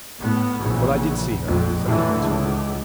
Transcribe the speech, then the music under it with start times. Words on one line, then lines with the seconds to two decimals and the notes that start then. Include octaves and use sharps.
"Well, I did see her," said the hunter.
0.20 A2 B3
0.59 A#1 C#3 E3
1.44 A#1 F2
1.84 A2 D3 E3
2.20 C#2